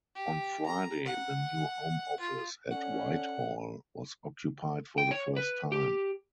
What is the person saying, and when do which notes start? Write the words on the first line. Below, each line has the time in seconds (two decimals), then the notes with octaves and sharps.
On Friday the new Home Office at Whitehall was occupied for the first time.
0.15 G4
0.66 A#5
1.05 F#5
2.20 F4
2.71 C#4 A4 D5 F#5
4.98 G5
5.11 C#5
5.36 B4
5.72 G4